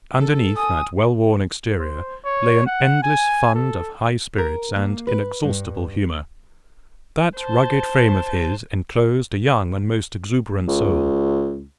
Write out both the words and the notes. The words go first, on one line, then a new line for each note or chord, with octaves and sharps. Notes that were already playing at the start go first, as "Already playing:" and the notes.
Underneath that well-worn exterior lay an endless fund of high spirits and inexhaustible humour; that rugged frame of his enclosed a young and most exuberant soul.
A4
G#5 D#6
C5
C#5
F#5
G#5
A4
A#4
A#3
B4
G2
C5 A5
C#2